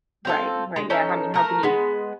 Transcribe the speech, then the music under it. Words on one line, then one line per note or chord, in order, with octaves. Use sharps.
Right, right, yeah, I mean, how can you
C4 F4 A4
G#3
C#4 D#4 A4
A3 A#4
G#3 B3